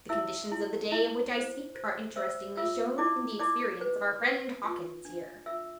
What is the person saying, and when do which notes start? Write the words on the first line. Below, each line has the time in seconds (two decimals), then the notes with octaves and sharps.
The conditions of the day of which I speak are interestingly shown in the experience of our friend Hawkins here.
0.09 E4 E5 E6
0.52 E4
0.92 E4
1.34 C5
1.75 C5
2.16 C5 E5 E6
2.57 F4 E5 E6
2.98 E4 D5 D6
3.39 E4 D5 D6
3.81 B4
4.23 B4
4.64 F4
5.05 D4
5.46 F4 E5 E6